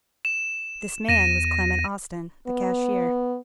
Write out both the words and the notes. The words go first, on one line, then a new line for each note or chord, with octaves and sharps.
This man was Clement Austin, the cashier.
E7
E2 A#6 D#7 E7
B3